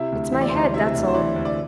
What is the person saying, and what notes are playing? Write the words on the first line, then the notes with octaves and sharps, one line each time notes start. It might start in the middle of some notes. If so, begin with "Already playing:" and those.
It's my head, that's all.
Already playing: C3 E4 E5
D2
E3 E5
D5
C5
D2
D5
C3 E4 E5
D2
C5
E3 D5
D2
D5